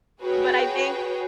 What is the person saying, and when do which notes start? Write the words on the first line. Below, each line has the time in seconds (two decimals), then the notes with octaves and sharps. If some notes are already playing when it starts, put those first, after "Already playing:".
But, I think
0.21 F#4 G#4 B4 C#5 G5